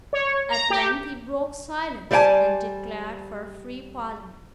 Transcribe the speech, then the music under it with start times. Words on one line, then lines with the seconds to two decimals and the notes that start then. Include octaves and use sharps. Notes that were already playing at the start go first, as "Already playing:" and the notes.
At length he broke silence, and declared for a free Parliament.
0.13 C#5
0.51 A#5
0.70 G4
2.11 G3 C5 D5 F#5 G#5 A5